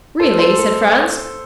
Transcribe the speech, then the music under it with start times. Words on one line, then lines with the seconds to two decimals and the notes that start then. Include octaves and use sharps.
"Really?" said Franz.
0.20 A4 C5
0.39 A4 C5
0.58 A4